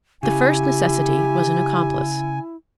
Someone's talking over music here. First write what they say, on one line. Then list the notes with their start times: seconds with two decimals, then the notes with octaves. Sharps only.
The first necessity was an accomplice.
0.23 C#3 E4 G4 G#5